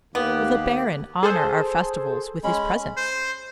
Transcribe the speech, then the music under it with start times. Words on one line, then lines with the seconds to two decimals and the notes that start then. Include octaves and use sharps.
"Will the Baron honor our festivals with his presence?"
0.15 D#2 A#3 B3 G4
1.23 G#4 A4 C5
2.44 G#3 C#4 B5
2.97 C5